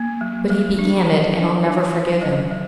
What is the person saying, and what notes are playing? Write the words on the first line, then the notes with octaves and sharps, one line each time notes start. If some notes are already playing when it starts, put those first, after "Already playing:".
But he began it, and I'll never forgive him.
Already playing: A#3
F#3
F#3
D4
F#3
D4
D4
F#3
F#3 D#5
F#3